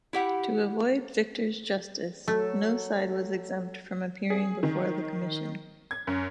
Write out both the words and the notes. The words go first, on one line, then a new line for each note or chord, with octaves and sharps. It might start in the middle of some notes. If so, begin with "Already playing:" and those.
To avoid victor's justice, no side was exempt from appearing before the commission.
E4 G4 F#5
F#3 A3 A4
G#4
D#3
G#6
F#2